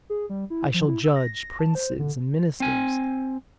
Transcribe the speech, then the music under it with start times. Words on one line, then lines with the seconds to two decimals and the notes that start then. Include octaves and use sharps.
I shall judge princes and ministers.
0.10 G#4
0.30 G3
0.50 E4
0.74 F3
0.87 E4
1.04 E6
1.16 A#6
1.39 A#6
1.59 A5
1.75 C5
1.99 D3
2.60 C4 G#5